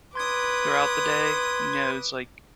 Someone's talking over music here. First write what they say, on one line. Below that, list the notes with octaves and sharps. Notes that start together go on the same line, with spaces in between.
throughout the day, you know, it's, like,
B4 C6 D6 D#6 G#6